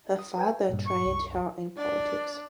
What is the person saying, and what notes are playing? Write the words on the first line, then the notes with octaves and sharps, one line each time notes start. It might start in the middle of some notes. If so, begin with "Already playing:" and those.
Her father trained her in politics.
D#6
B4 G5 G#5
G2 A#2
C#6
C2 F#2
D4 D5